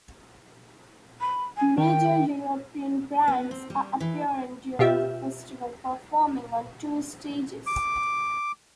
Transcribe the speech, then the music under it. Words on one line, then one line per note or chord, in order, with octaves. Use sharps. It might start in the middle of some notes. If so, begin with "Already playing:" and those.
Major European bands are appearing during the festival, performing on two stages.
B5
G#5
D#3 G5
B3
C4
G3
E3
B2 F4 G4 E5
D6